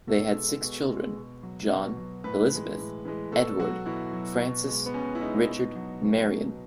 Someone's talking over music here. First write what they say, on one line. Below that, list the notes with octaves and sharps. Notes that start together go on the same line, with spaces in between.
They had six children: John, Elizabeth, Edward, Frances, Richard and Marion.
B2 A4
G#3
B2
G#3
B2
F#3
B2
F#3
A2 B4
E3 G#3
A2
E3 G#3
B2 A4
F#3 F#4
B2 E4
F#3
B2
G#3
B3
B2 C#4
E4
G#3 D#4
B2
F#3
B2
F#3